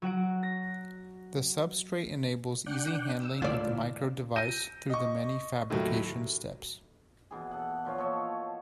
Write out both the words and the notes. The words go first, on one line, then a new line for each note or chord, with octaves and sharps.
The substrate enables easy handling of the micro device through the many fabrication steps.
F#3 F#4 F#5 D7
A#6
D4 F#5 G5
E6
D2 A2 F4 D5
G6 A#6 D#7
D#5 C#6
D#2 A2 F#3
B2 E3 G#4
A4 F#5
A#2 F3 C#5 F5
F3 A4 C#5 D#5